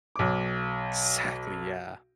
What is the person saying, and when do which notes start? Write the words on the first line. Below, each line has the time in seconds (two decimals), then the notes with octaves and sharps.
Exactly, yeah.
0.16 B1 D6